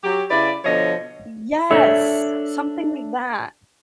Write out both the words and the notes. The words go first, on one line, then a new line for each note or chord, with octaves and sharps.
Yes, something like that.
F#3 G4
C#3 E4 B4 D5
B2 D3 F3 C#5 D#5
D4 A4 C#5 E5